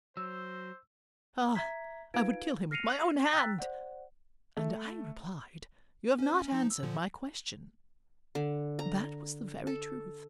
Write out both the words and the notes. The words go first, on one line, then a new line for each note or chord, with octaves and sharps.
'Ah, I would kill him with my own hand!' And I replied, 'You have not answered my question.' That was the very truth.
F#3 C5 E6
E5 A#5 G#6 B6
D#4 F4 B4 F5 G#6 D7
F6 A#6 C7 C#7 D#7 F7
G5 A#5 E6 F#6 A6 B6
C5 D5 F#5
A3
C#4 C5
C#4
F3 D#4
E6
A#2 D3 F3
D3
A#5
A4